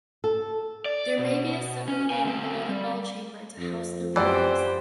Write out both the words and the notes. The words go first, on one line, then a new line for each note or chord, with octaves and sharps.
There may be a separate room below the bell chamber to house the ringers.
A4
D5
B2
C#4
F5 G#5
D2 C4
G3
F2
F#2 E3 G4 C5 D5 F#5 G5